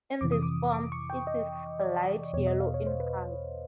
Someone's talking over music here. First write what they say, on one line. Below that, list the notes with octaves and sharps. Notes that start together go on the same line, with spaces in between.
In this form, it is light yellow in color.
F2 C3 E3 D6
D#6
D6
D6
C#6
G5
D#5
D5
E2 B2 C#5
D#5
F5
C#5
C5
B4